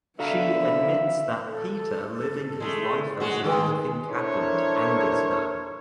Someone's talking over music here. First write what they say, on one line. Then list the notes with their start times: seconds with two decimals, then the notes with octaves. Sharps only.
She admits that Peter living his life as if nothing happened angers her.
0.19 D3 B3 F#4 E5 F5 A#5 B5
1.47 A4
2.60 G#3 A3
3.20 G#3 F#4
3.44 D#3 G#3 B4
4.09 D4 E4 A4 A#4 C5 C#5